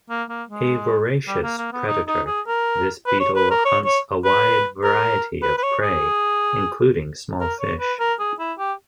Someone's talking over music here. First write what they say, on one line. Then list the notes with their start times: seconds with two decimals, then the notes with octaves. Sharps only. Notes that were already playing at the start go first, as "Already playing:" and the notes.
A voracious predator, this beetle hunts a wide variety of prey including small fish.
0.10 A#3
0.30 A#3
0.49 G#3
1.28 G3
1.43 A#3
1.58 A#3
1.73 B3
1.88 D#4
2.08 D#4
2.27 G#4
2.47 A#4
3.07 B4
3.21 C#5
3.36 B4
3.51 A#4
3.65 C#5
3.85 C#5
4.25 B4
4.84 A#4
5.43 B4
5.58 B4
5.63 C#5
5.82 G#4
7.40 A#4
7.60 C#5
7.80 B4
8.00 A#4
8.20 G#4
8.39 E4
8.59 G4